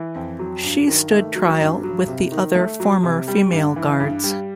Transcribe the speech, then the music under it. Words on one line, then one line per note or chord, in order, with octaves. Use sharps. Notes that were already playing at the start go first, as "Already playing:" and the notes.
She stood trial with the other former female guards.
Already playing: E3
F2
F#3
G2
D#3
A3
F#3
G2
F#3
C3
D#3
A3
F#3
C3
G3
G2
E3
G2
G3